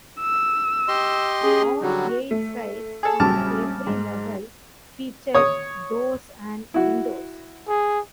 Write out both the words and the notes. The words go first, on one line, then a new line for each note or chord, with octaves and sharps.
All eight sides on every level feature doors and windows.
E6
G4 D#5 C6
C#4 G#4
D3 F#3 G3 F#4
A3
G#4 A4
A#1 C#3 F#3 G3 A5 D6 F6
G#2
C#5 D#6
E4 F#4
G#4